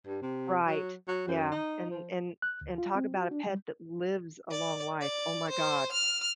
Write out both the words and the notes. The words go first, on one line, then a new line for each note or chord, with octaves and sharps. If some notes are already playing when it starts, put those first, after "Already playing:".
Right, yeah, and and and talk about a pet that lives a long life, oh my god,
G2
C3
F#3
F#3
F#2
D#4
F3
F#6
D2
F4
C4
F#4
D4
G3
D5
D5
C5
F6